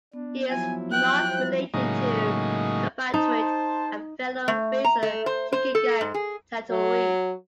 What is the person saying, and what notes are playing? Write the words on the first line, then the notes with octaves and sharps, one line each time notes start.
He is not related to compatriot and fellow racer Shigeaki Hattori.
B3 D4
F3 F#3 E4 G#5
G5 F#6
G3 C5
A2 C#3 F#3 G#3 A#3 D#4
D#4 C5 A5
A3
A#5
A3
C5
C5
A4
G#2
G#4
F#3